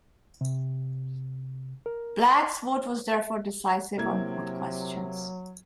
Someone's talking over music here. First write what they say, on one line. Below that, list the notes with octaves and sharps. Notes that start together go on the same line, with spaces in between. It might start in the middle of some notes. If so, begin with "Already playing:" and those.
Black's vote was therefore decisive on both questions.
C3
A#4
C3 F#3 A#3 E4 G#6